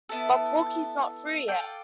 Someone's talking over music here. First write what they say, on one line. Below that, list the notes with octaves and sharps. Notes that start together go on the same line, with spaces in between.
But Porky's not through yet.
B3 E4 A4
F4 A4 D5 G5